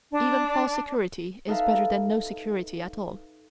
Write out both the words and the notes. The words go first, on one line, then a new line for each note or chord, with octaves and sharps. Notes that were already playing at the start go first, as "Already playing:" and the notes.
Even false security is better than no security at all.
D4
D#4 A4 B4 E5 F5 A#5